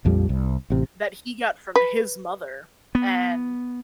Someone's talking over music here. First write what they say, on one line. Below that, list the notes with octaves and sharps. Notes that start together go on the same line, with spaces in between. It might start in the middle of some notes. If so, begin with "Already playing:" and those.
that he got from his mother, and
A#1 F2 F3 G3
C2
A1 C3
B4
B3